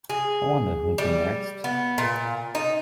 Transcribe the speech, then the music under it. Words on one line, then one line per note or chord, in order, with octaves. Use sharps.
I wonder who'll be next?
G#4
G3
B3
A#2
D#4